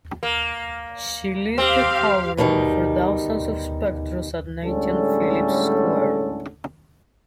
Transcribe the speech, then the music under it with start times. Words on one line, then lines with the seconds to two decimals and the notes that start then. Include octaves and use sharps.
She lit the cauldron before thousands of spectators at Nathan Phillips Square.
0.23 A#3
1.58 C4 G4 F5
2.37 D2 B2 D#3 G3 D#4
4.63 A2 D3 G3 G#3 C#4 A4